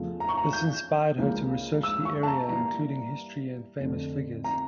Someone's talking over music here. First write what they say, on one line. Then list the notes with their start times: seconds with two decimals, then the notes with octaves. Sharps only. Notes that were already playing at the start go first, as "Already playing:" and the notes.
This inspired her to research the area, including history and famous figures.
Already playing: E2 C#3 F3 A3
0.20 A#5
0.29 C#6
0.37 A#5
0.53 G6
1.18 C#2 C#3 F3 A#3 D4
1.83 E6
2.05 C#6
2.23 A5
2.27 A#5
2.49 G2 E3 A#3 A#5
3.80 F2 D3 A3
4.44 A#5